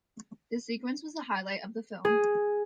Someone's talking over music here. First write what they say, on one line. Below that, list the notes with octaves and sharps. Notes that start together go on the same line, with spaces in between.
The sequence was the highlight of the film.
G#4